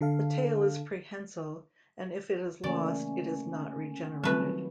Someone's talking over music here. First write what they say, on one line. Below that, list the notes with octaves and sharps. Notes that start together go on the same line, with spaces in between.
The tail is prehensile and if it is lost, it is not regenerated.
D3 A4 F5
C#3 E3 A3 A#3 C#4 D5 G#5
D#3 F#3 G3 A3 C4 F4 B4